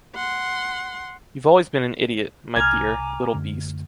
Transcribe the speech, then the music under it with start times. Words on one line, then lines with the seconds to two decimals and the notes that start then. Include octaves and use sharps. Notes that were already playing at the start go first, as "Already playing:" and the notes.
You’ve always been an idiot, my dear, little beast.
0.15 F#5 C6
2.56 C2 G#5 A#5 D6 F6 G#6
3.34 F#2 D3 A3